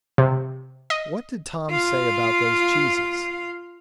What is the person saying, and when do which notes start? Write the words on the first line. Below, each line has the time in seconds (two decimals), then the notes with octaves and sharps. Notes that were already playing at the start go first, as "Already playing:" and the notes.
"What did Tom say about those cheeses?"
0.18 C3
0.90 D#5
1.70 F4 F5